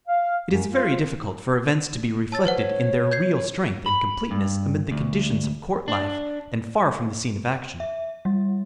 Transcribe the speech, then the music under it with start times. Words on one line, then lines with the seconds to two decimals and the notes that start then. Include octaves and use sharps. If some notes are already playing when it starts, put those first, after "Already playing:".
It is very difficult for events to be reflected in their real strength and completeness amid the conditions of court life and far from the scene of action.
0.08 F5
0.52 F#2
0.70 F4
2.32 C#5 A5 E6 A6
2.45 B4 C5 F#5
3.11 G6 G#6 C7
3.86 B5
4.31 G2
4.91 D2
5.88 D4
7.80 E5
8.25 G3